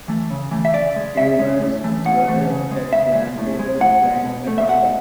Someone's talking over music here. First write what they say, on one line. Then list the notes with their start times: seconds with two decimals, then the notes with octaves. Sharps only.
Rumours swirled that Plante was planning a comeback.
0.08 E3 A3
0.30 C#3
0.51 E3 A3
0.65 E5
0.74 C#3 D5
0.96 G#3
1.17 C#3 E5
1.39 G#3
1.61 A2
1.84 E3 A3
2.05 A2 F#5
2.28 E3 A3
2.50 C#3
2.71 G#3
2.93 C#3 E5
3.15 G#3
3.38 A2
3.59 G#3
3.81 A2 F#5
4.03 G#3
4.25 B2
4.47 A3
4.58 E5
4.68 B2 F#5